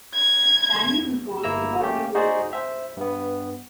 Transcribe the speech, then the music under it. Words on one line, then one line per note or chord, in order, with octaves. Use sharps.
Staley was born in Bountiful, Utah.
G#6
G1 A#3 E4 A#5 E6
A3 A#3 C#4 G4
D#4 F#4 G#4 C5 D5
C5 E5
G2 B3